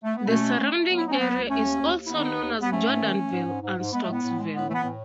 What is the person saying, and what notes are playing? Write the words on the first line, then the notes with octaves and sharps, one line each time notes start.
The surrounding area is also known as Jordanville and Stocksville.
A3
B3
B2 A3 C#4
B2
A3
A3
F#3 B3
E4
A3 D#4
C#4
F#3 B3
C#2
D#2 A3 C#4
A3
D#2
D#2
E4
D#3 B3 D#4
D#2
D#2
D#2
B3
G#2 A3 C#4
G#2
D#3
A3
G#2
G#2
G#2
G#2
G#3 B3
A3
A2 B3
A2
G#3
A2 B3
E3 A3 B3
A2